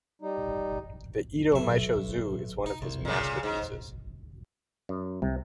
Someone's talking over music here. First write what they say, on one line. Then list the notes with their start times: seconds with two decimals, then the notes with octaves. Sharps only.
The "Edo Meisho Zue" is one of his masterpieces.
0.22 G3 D#4
1.52 B1 E5
2.66 D#4
2.82 C2
3.05 A#2 C#3
3.43 G#2
4.89 F#2
5.22 C2 C3